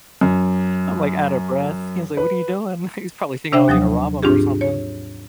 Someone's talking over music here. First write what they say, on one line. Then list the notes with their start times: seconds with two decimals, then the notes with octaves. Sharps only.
I'm like, out of breath. He was like, "What are you doing?" Like, he was probably thinking I was gonna rob him or something.
0.21 F#2
2.17 B4
3.52 C3 D4 C5 E5 G5
3.68 D#2 F3 F#3 D#6
4.23 G#2 C4 D4 F4 G4 G#4
4.61 C#5